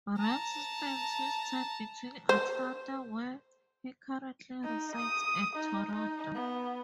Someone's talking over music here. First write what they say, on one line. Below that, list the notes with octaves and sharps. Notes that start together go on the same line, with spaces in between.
Rams spends his time between Atlanta, where he currently resides and Toronto.
A5 A#5
C5
D#4
D#6
D#4
D#4
B3